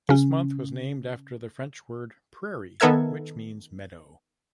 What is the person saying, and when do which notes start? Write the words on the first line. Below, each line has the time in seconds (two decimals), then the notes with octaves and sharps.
This month was named after the French word "prairie", which means "meadow".
0.09 C#3 C#4
2.80 D#3 B3 A4 A#4 E5 G#6